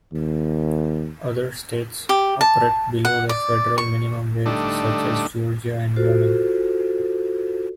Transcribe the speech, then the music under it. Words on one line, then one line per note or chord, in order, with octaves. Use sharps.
Other states operate below the federal minimum wage such as Georgia and Wyoming.
D#2
G4
A5
F#5
D5
C#6
A2 D3 G3 A3 D4 D#4
F4 F#4 A4 C5